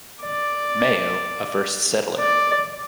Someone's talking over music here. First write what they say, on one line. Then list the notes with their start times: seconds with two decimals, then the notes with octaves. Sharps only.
Mayo, a first settler.
0.22 D5
2.19 D5